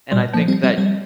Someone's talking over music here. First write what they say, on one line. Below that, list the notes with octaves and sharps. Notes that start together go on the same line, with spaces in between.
And, I think that
A#2 G3
F3 A#3
G3 C4
G3 C4
G3